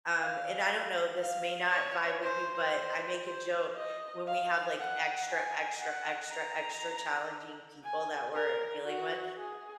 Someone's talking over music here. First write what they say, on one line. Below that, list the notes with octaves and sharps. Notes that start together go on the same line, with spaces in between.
um" and I don't know, this may not vibe with you, but I make a joke, when we have, like, extra, extra, extra, extra challenging people that we're dealing with.
F5
F5
C#5
C5
C5
C5
D#5
F5
F#5
G#5
F#5
A#5
G#5
A#4
F#4
G#4